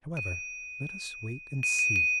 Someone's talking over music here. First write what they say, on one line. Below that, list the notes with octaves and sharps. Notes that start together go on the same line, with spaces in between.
However, let us wait and see.
D#7
D#7
D#7
D#7